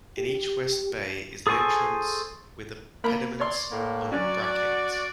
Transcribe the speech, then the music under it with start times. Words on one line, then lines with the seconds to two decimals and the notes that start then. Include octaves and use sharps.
In each west bay is an entrance with a pediment on a bracket.
0.18 G4
1.47 G#4 A4 C5 G#5 C#6
3.04 A#3 A#4 B5
3.40 C#5 D5 C6
3.72 A2 A#3
4.12 F#3 C#4 F#4 D5